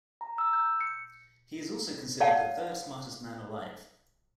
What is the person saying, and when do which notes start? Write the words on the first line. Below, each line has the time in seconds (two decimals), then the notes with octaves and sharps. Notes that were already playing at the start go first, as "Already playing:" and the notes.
He is also considered the third-smartest man alive.
0.21 A#5
0.38 E6
0.53 G6
0.81 C#7
2.20 C#5 D5 F5 F#5 A5